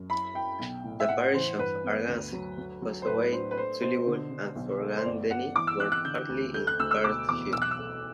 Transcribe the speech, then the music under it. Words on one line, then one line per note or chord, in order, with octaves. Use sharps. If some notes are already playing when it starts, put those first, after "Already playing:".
The parishes of Arngask, Fossoway, Tulliebole and Forgandenny were partly in Perthshire.
Already playing: F#2
E4 B5
E4 G5
B1
A2
E5
A2 F#5
E3 C5
G2 B4
B3
D2
F#3
F#3
F#3
C5
A2 B4
D4 C5
B4
A3 C5
B2 C5
D3
D3
B1
A3
C5
G1 D5
G1 F#5
E3 D6
E6
E3 F#6
F#6
D3 G6
D2
A3 G6
F#6
D2 E6
E6
B2 D6
E2 D6
B1 E6
F#6
E6
A3